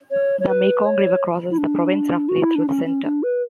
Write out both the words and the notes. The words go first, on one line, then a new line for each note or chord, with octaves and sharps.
The Mekong river crosses the province roughly through the center.
C#5
C#5
B4
C#5
E4
D4
F#4
E4
D4
C#4
C#4
D4
B4